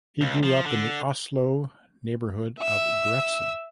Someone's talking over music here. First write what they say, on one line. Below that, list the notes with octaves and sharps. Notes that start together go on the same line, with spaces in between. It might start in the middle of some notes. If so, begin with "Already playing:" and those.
He grew up in the Oslo neighborhood of Grefsen.
C#2
F3
D3
E5 E6